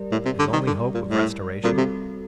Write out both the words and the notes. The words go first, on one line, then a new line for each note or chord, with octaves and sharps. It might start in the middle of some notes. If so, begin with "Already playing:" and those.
His only hope of restoration!
Already playing: G3 G4 A#4 D5
A2
C3
D3
D#3
D3
A#2
A2
A#2 G3 C4 F#4 A4
C3